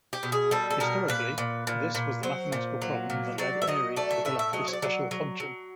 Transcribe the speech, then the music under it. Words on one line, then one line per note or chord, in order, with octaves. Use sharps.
Historically, this was the mathematical problem that led Airy to develop this special function.
G4
B2
G#4
G3 A4
A4
B2 A#4
A#2 B4
A#2
A#2
A#2
F#3 C5
A#2
F#3
A#2
F#3 D5
E5
F#3 D#5
A3 D5
E5
A2 E5
E5
F#3 D#5
C#5
D5
F#3
F#3
F#3